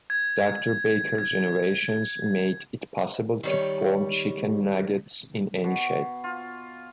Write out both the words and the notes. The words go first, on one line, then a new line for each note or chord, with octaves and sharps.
Doctor Baker's innovations made it possible to form chicken nuggets in any shape.
G#6
G#6
D#3 G3 C#5
B2
F4